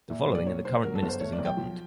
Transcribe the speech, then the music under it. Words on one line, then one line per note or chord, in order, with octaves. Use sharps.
The following are the current ministers in government.
A#2 E5
B1
D5
A#2 C#5
A#2 C5
F#3 A#4
A4
G1
C5
A3 C#5
D5
B1
G5
F3